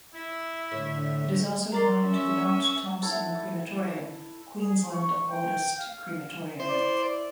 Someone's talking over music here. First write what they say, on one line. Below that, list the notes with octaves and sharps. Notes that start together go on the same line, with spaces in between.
It is also home to the Mount Thompson crematorium, Queensland oldest crematorium.
E4 E5
A2 D3
A#4 D5 C6
C#4 E5
E4 A4 F#5 B5
G#4
C#6
G5
F5
E4 C5 D5